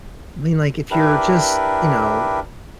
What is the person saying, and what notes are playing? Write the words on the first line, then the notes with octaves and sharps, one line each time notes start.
I mean, like, if you're just, you know,
D4 E4 G4 A#4 B4